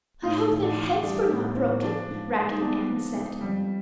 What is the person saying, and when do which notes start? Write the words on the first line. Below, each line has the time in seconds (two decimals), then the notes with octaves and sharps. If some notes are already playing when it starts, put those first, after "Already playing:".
"I hope their heads were not broken!" Raggedy Ann said.
0.22 A2 D#4
0.49 A1
0.62 D4
0.76 E3
1.02 G3 D4
1.29 A2
1.42 B3
1.55 A1 C4
1.69 C#4
1.82 F3 D4
2.08 G#2
2.34 G#3
2.48 D#4
2.61 B3 D4
2.88 F3
3.14 G#2
3.40 F2 G3